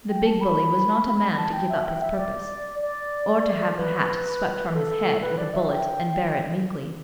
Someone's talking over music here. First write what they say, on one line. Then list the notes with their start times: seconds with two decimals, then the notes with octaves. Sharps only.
The big bully was not a man to give up his purpose, or to have the hat swept from his head with a bullet and bear it meekly.
0.09 G5
0.26 A5
0.41 B5
1.37 A5
1.53 G5
1.69 E5
1.86 G5
2.02 E5
2.18 D5
2.82 D5
3.77 B4
4.74 A4
5.21 B4
5.38 D5
5.53 E5
5.70 G5